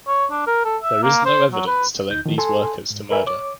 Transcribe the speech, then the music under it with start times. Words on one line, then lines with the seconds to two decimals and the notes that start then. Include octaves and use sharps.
There is no evidence to link these workers to the murder.
0.08 C#5
0.31 D4
0.47 A#4
0.65 A4
0.83 E5
1.03 A#3
1.26 C5
1.53 F#3
1.68 B4
2.09 D2 D#4 G6
2.26 D#3 F3
2.38 A4 G#5 C6
2.90 G#2
3.11 A#4 B4 E5 G#5
3.26 C#5 D6